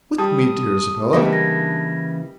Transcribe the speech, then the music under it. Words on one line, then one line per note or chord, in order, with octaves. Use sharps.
"With me, dear Isabella!"
G3 A5 D#6
C#3 E3 G3 A#3 D4 D#5
G#6 A#6